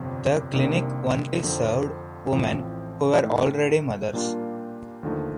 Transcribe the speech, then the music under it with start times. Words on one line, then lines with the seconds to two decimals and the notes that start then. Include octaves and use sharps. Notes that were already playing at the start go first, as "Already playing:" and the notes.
The clinic only served women who were already mothers.
Already playing: G1 F2 C3 G3
0.53 C2 C3 D#3 A#3 D4
1.43 F2 D3 F3 C4
2.33 A1 A2 F3 C4
3.23 A2 A3 D#4
4.13 A#2 G3 A#3 D4 F4
5.03 D#2 D3 F3 A3 D#4